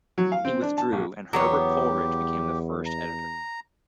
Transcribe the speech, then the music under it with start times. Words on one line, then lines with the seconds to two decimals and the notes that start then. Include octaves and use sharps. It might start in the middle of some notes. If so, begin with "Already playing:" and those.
He withdrew and Herbert Coleridge became the first editor.
0.18 F#3
0.32 F5
0.45 C4
0.62 D4
0.78 A5
0.92 A#1
1.33 E2 F#3 B3 G4 C#5
2.86 A#5